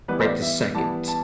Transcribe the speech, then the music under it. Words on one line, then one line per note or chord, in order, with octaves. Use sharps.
right this second,
E3 G3 B3 B4
C5
D5
E5
E3 G3 B3 A5
A5